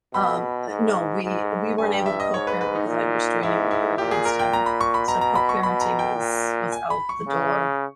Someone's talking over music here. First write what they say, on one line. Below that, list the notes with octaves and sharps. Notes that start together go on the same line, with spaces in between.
Um, eh, no we we weren't able to co-parent because I had a restraining order against him, so co-parenting was was out the door.
B2 B5
G#2
G#2
G2 G#5
G5
E5
D#5
G#2 C#5
B4
B4
D#4
A#2
G#2 E4
E4
A#2 G4
G#4
A#4
G5
A#5
B5
C#6
B5
B2 A#5
A#5
B5
C#6
B2 B5
A#5
G5
A#2
G#5
B5
C#6
C#3